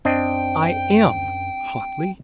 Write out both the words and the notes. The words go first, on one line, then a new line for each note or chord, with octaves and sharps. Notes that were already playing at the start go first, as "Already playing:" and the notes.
"I am!" hotly.
F#2 C4 D4 D#5 G5